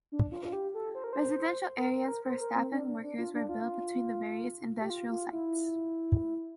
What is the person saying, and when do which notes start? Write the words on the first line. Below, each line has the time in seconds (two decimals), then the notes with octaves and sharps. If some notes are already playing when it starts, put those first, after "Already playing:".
Residential areas for staff and workers were built between the various industrial sites.
0.12 D4
0.32 F4
0.45 F4
0.53 G4
0.74 A4
0.95 C5
1.04 A#4
1.13 C5
1.78 A#4
1.94 A#4
2.04 C5
2.08 A#4
2.25 C5
2.40 A#4
2.56 C4
2.72 D4
2.87 D4
3.03 D4
3.18 F4
3.34 D4
3.49 F4
4.80 G4
4.90 F4
5.11 F4
5.32 E4